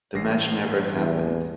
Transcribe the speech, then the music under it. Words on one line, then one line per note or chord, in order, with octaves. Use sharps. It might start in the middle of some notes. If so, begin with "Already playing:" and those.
The match never happened.
A1 A#6 C7
E2